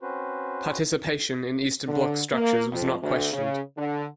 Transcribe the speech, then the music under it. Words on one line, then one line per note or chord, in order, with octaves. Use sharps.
Participation in Eastern Bloc structures was not questioned.
C4 C#4 F#4 B4 C5
D3
A#3
F2
D2
C#3
D3